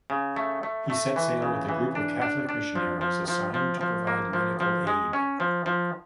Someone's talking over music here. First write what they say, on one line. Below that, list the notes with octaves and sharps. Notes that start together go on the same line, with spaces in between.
He set sail with a group of Catholic missionaries assigned to provide medical aid.
C#3
A3
A3
A3
E3
C#3
E3
D4
D4
D4
F3
F3
F3
F3
F3
A#3
F3
F3
G#3
C#4
F3
F3